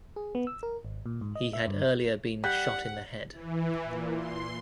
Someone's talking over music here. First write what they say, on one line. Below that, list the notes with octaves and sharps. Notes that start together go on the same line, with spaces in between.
He had earlier been shot in the head.
G#4
B3
E6
A#4
G#1
A#2
G#2
D#5
E5
G2
G3 F#5 F#6 B6
E3
A#2
C6